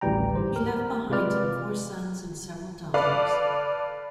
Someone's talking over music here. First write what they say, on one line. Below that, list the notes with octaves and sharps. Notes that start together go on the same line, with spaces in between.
He left behind him four sons and several daughters.
A1 D2 E3 G3 G5 A#5
G#2 G4 C5
A#4
C3 G#3 F4 B4 D5 F6
A4 B4 D5 F5 A5